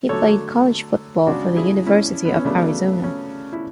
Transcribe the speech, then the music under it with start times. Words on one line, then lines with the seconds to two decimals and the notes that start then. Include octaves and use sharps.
He played college football for the University of Arizona.
0.09 D3 F#3 A3 A4 C#5
1.27 C#3 G#3 D4 F#4
1.56 E4 G#4
1.86 C#4 E4
2.25 B3
2.35 C#4
2.45 C#3 F#3 A3 B3 D4
3.04 C#4
3.53 E4